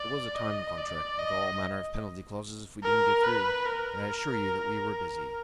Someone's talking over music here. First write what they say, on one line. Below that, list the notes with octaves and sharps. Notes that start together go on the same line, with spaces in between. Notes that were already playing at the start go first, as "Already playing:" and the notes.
It was a time-contract, with all manner of penalty clauses if we didn't get through; and I assure you that we were busy.
Already playing: D5
D#5
D5
D#5
A#4
B4
A#4